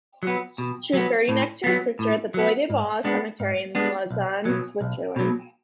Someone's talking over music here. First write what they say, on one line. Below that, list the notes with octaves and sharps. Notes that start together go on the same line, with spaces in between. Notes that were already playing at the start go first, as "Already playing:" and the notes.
She was buried next to her sister at the Bois-de-Vaux cemetery in Lausanne, Switzerland.
F#3 B3
B2
F#3 B3
A2
F#3 B3
A2
F#3 B3
G#2
G#3 B3 D4
G#2
G#3 B3 D4
B1
B2 F#3
B1
B2 F#3